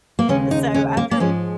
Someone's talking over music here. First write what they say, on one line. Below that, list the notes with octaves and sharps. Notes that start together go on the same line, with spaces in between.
And so, after
A#3
D#2 C#3 G#3 C#4
D#4
C#4
A#3
A#3
G#2 F3 G#3 C#4